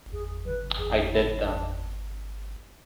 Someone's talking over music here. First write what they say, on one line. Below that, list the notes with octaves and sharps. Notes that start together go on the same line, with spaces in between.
I did them.
E2 G#4
C#3 F#3 B4
E2 G#4
F#4
C#3 F#3 E4
E2 D4